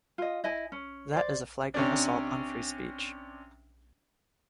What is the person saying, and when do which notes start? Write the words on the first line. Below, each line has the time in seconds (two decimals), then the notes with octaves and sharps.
That is a flagrant assault on free speech.
0.18 F4 D#5
0.44 E4 D#5 G#5
0.72 C#4
1.13 C5 D5
1.74 C3 C#4 D4